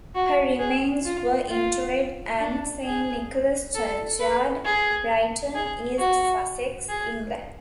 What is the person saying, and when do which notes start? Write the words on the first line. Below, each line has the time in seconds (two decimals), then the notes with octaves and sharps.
Her remains were interred at Saint Nicholas' churchyard, Brighton, East Sussex, England.
0.15 F#4
0.59 G#4
1.05 F4
1.49 F4
2.40 D4
2.85 G#4
3.75 A4
4.19 B4
4.65 G#4
5.55 G#4
5.99 F#4
6.89 G#4